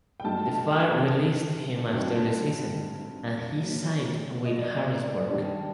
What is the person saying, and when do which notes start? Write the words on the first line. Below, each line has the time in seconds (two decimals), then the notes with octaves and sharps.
The Fire released him after the season, and he signed with Harrisburg.
0.20 G5
0.24 G2 F#3 A3 D#4 A5
1.93 G2 F#3 C4 D#4
3.62 F#2 F#3 A#3 D#4
4.46 D#5
4.59 D5
4.84 D5
5.30 G2 D#3 G3 D4